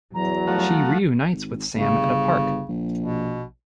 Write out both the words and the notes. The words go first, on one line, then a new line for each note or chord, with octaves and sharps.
She reunites with Sam at a park.
E2 F#3 A#5
F3 A3 F#4
G#1
G1 C#3
A#1
B2